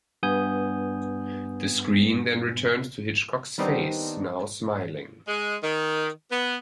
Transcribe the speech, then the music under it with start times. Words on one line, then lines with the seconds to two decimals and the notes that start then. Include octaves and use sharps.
The screen then returns to Hitchcock's face, now smiling.
0.23 G2 B3 G#5 D#6 G6
3.58 D#3 G3 B3 C4 D4 D#4
5.27 G#3
5.63 D#3
6.30 B3